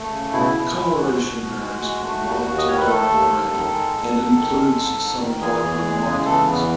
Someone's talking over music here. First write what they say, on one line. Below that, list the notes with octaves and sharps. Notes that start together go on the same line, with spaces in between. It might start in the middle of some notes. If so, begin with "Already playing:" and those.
Coloration varies from light to dark brown and includes some darker markings.
Already playing: A3
C#3
B2 E4
B2 E4
G#3 E4
G#3 F#4
B2
B2
G#3
G#3
A3
D#2
D#2
D#5
D#3 C#5
B4
A3 A4
D#2
D#2
D#3
G#3
G#2
G#2
D#3
G#3
G#2
G#2
D#3
E3 G#4
E2
G#3
C#3
E3 A4
E2 B3